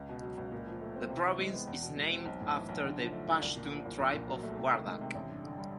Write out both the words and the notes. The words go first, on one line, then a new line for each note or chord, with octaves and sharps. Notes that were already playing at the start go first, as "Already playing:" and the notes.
The province is named after the Pashtun tribe of Wardak.
Already playing: C#2
B2
F#3
C#2
A#2
F3
A3
C4
C3
E3
G#3
B3
E2
B2
G#3
C4
B1
A2
E3
B1
D3
F3
A3
D3
C2
A#2
F3
C2
A#1
A#2
F#3
A3
C3
D#3
G#3
C3
A1
G2
D3
G3